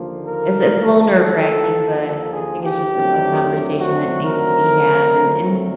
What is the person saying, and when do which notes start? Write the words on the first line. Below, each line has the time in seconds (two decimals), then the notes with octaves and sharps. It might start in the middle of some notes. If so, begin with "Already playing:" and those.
it's it's a little nerve racking, but I think it's just, uh, a conversation that needs to be had, and and
Already playing: D#2 D3 F3 A#3
0.27 A#4
1.15 A4
2.03 A4
2.33 G#4
2.62 G4
2.91 F2 D3 F#3 A3 C4
3.79 F#4
4.23 A#4